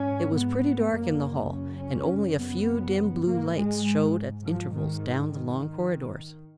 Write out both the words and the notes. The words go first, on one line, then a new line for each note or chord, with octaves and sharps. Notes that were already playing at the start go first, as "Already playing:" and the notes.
It was pretty dark in the hall and only a few dim blue lights showed at intervals down the long corridors.
Already playing: G#2 C#4
B3
F#2 C#3 A#3
C#4
C#4
F#2 C#3
B3
G#2 A#3
G#3
G#2 F3
D#3
D#3